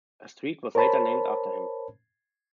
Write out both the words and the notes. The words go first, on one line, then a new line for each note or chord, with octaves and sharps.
A street was later named after him.
A#4 C5 C#5 A5 B5